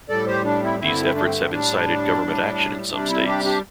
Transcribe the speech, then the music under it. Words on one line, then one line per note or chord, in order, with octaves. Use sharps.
These efforts have incited government action in some states.
A2 G3 A4 D5
G4 C5
D4
C4 E4
G2 D3 A3 C4 E4
D4
C4
C4
A2 G3 D4
A2 G3
C3 G3 D4
C4 E4
D4 G4
D4 G4